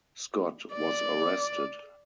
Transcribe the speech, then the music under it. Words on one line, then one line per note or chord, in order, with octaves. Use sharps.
Scott was arrested.
D5